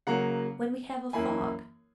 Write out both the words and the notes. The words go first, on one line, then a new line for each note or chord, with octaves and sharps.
"When we have a fog."
C#3 F#3 A#3 F#5 A#5
F#2 E3 A#3 E4 G#5 B5